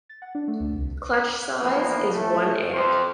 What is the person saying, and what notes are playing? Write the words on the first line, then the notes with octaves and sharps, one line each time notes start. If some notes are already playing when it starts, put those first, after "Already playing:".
Clutch size is one egg.
A6
F#5
D4
A3
D2
C2
E2 F3 A#3 B3
C#3 F3 A3
F2 C5